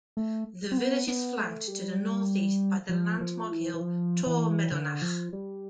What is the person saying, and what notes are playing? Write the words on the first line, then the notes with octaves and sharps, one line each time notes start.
The village is flanked to the northeast by the landmark hill Torr Meadhonach.
A3
C4
B3
B3
A3
G3
F3
F3
E3
E3
F3
E3
D3
F3
G3